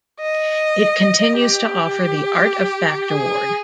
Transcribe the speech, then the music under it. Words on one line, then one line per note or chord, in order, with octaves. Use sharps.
It continues to offer the Art of Fact Award.
D#5
G4
G#4